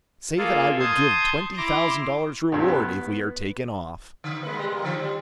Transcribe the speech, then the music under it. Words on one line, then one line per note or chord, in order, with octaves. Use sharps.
"Say that I will give twenty thousand dollars reward if we are taken off!"
A#3 F4 G#4 A4
A5 C6 D#6 G6 G#6
E4 A#5 C6 D6 A#6
C2 G2 C3
B3
D3
G#3 A#3 B4
G3 G#3
G3 A#3
D3 F3
G3